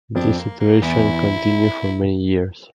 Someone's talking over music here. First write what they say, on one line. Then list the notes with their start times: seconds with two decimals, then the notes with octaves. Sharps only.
This situation continued for many years.
0.15 F2 F3 D4
0.38 A#3
0.60 A#3
0.82 E2 E3 E4